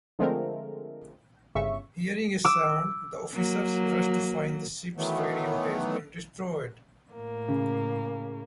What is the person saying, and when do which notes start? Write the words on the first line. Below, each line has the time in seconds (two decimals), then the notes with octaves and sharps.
Hearing a sound, the officers rush to find the ship's radio has been destroyed.
0.19 D3 F3 G#3 A3 C4 A#4
1.55 G1 C#3 E5 C#6
2.45 D6 E6
3.33 F#3 A#3
4.97 D#3 E3 F#3 A3 B3
7.15 A2 A#3
7.48 C#3